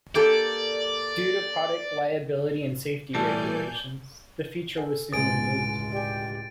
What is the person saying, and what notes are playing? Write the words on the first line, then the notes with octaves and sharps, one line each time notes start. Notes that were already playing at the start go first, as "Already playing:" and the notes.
Due to product liability and safety regulations, the feature was soon removed.
A#3 G4 A4 D5
A2 E3 G3 D5 G#5 A5 G6
A4 F#5 G#5
D1 C#2 B2 G#3 G#4 G#5 A6 D7
G4 D5 G#5